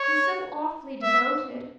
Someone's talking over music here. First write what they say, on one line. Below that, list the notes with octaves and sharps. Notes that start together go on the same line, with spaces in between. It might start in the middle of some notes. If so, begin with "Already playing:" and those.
"He's so awfully devoted!"
Already playing: C#5
E5